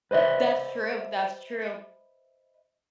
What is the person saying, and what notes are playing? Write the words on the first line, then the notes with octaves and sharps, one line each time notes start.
That's true, that's true.
B4 C5 D#5 E5